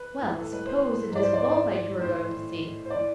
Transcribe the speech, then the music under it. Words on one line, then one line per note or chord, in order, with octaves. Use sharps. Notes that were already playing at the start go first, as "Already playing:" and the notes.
Well, suppose it is a bull-fight you are going to see?
Already playing: B4
A2 E3
A4
B4
C5
G#2 E3 D5
C5
D5
D5
A2 E3 C5
C5
E3 D5